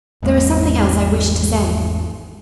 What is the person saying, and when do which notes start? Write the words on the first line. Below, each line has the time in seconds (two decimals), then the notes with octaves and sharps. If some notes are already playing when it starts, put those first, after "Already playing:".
There is something else I wished to say.
0.23 G#1 E2 G#3 A#3